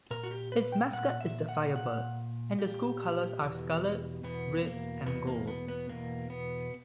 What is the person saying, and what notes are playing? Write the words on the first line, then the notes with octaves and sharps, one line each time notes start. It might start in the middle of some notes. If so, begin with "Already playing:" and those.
Its mascot is the firebird, and the school colors are scarlet, red, and gold.
A#2 A#4
F#4
G4
B4
G5
A#2 F#5
E5
F#5
A#2 F#5
A#2 G4
E2 B2
E2 B2 B3
B3
A#3
E2 B2 B3
A#3
B3
B3
E2 B2 A#3
B3